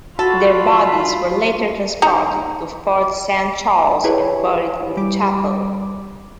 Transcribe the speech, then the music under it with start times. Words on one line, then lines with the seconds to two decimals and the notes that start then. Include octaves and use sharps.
Their bodies were later transported to Fort Saint-Charles and buried in the chapel.
0.19 F4 F#4 A4 B5
2.02 D#4 A#5
4.04 E4 G4 G#4 B4 C#5
4.97 G3 D6